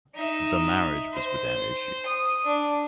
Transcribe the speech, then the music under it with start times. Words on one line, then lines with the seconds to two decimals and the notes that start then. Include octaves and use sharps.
The marriage was without issue.
0.15 D#4 E5
1.13 C5
2.06 D#6
2.45 D4